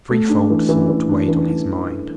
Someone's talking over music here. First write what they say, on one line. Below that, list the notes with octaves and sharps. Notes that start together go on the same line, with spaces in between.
A threefold thought weighed on his mind.
A3
D4
E3
E3
E3
D4
E3
D4